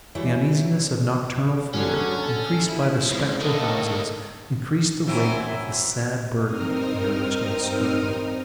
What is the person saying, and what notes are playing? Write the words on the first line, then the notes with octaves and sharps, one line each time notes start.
The uneasiness of nocturnal fear, increased by the spectral houses, increased the weight of the sad burden under which he was struggling.
E3 F#3 G3 E4 C#5
D3 F#3 C#4
A4
F3 E4
F2 G#2
D3 A#3 A4 D#5
F#2 E3 C4
G2 C4 D#4 A#4 D#6 F6